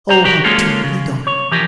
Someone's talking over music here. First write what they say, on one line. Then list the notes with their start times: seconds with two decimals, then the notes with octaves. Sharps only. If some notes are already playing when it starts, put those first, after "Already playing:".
"Oh, how terribly dark!"
0.09 C5 A#5
0.24 F#4 G4 A#4
0.44 G#3 A#3 C#4 F4 G#4 A4
0.84 C#3
1.27 C#5
1.52 E3 F3 G4 A#4